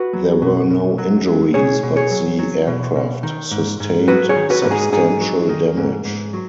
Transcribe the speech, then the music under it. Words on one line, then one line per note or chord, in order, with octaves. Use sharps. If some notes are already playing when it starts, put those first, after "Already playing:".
There were no injuries, but the aircraft sustained substantial damage.
Already playing: F#4 B4
F#3
B2
B2
F#3
F#3
B2 G#4 C#5
B2
G#4 C#5
F#3
F#3
B2
B2
D#3
G#2
G#2
F#3 F#4 B4
G#4 C#5
D#3
F#4 B4
G#2 B4
D#4 G#4
G#2 D#4 G#4
F#3
D#3
G#2
G#2
F#3